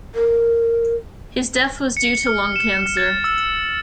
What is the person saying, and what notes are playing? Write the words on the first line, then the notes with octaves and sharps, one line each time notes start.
His death was due to lung cancer.
A#4
C#7
F6
E7
A6
E6